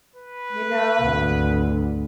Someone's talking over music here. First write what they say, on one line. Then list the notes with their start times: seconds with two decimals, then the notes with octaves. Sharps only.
you know?
0.16 B4
1.02 G#1 D2